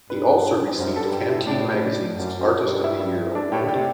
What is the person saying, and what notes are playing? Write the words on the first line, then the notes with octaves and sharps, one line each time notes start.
He also received "Canteen Magazine's" Artist of the Year Award.
G2 B4
F#2 C5
A4
G2
G4
G2
E4
A2 D4
F#2
F#2
G2
E4
E4
D4
A2 G4
D3 G4
C3